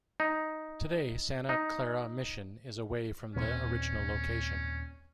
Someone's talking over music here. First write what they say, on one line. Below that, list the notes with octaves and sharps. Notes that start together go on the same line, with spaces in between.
Today Santa Clara Mission is away from the original location.
D#4
D#4
D#2 A#2 C4 C#4